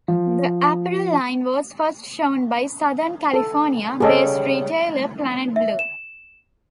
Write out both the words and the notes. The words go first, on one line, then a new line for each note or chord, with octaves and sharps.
The apparel line was first shown by Southern California-based retailer Planet Blue.
F3
A4
C#3 G3 G#4 A4 D#5
E5
E7